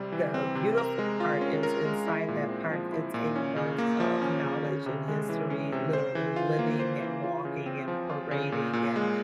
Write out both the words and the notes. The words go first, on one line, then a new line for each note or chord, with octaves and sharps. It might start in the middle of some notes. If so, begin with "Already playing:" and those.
The beautiful part is, inside that park, it's a wealth of knowledge and history, literally, living, and walking, and parading, and
Already playing: C3 G3 C4
E3
C4
C3
A#4
G#3
F4
C#4
A#4
G#3
E4
A#2
C4
F3
E4
A#2
C#4
C#3
A#3
F3
C#4
C#3
C#4
C3
G#3
E3
C#4
C3
C5
E3
F4
A#3
C5
E3
F4
C#3
C4
F3
F4
C#3
A#2
A#2
G#3